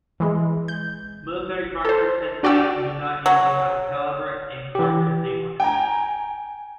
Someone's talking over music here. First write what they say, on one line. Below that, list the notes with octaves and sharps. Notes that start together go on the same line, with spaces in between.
Military cartridge headstamps do not usually have the caliber and cartridge name on it.
E3 G#3
G6
A4 C5
D4 F#4 D5 F#5 G5 E6
F#3
E3 G4
G5 G#5 A#5